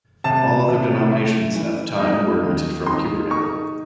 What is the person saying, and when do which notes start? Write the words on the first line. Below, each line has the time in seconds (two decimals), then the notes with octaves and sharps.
All other denominations, at the time, were minted from cupronickel.
0.24 C3 A5
0.69 C3
1.11 A3
1.55 E3
1.99 D#4
2.43 D#2
2.86 D#4 C6
3.30 D#4 C#6